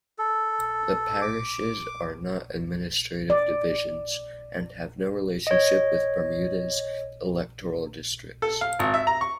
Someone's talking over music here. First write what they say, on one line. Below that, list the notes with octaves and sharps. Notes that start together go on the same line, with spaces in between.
The Parishes are not administrative divisions, and have no relationship with Bermuda's electoral districts.
A4
D6
D5
C#5 D#5
A4
F5
G#1
E5
A#5
C#6